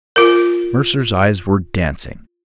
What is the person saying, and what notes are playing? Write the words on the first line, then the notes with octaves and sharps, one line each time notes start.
Mercer's eyes were dancing.
F4 A#4